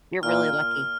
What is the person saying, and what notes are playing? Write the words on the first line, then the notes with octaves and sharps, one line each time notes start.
You're really lucky.
A#2 F6